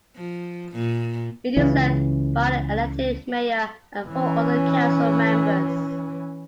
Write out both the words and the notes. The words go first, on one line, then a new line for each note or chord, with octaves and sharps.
It is led by an elected mayor and four other council members.
F3
A#2
C#2 C#3 E3
E3 C#4